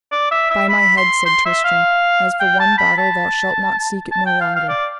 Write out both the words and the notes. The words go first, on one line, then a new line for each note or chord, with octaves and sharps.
By my head, said Tristram, as for one battle thou shalt not seek it no longer.
D5
E5
E5
B5
C6
C6
E5
F5
G5
A5
B5
A5
A5
G5
F5
F5
D5